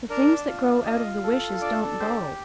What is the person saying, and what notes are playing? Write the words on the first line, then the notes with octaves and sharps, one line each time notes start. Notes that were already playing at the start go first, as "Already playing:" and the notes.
'The things that grow out of the wishes don't go.
D4 A#4
F4
F4 D#5
A4
D4 D5
G4 C5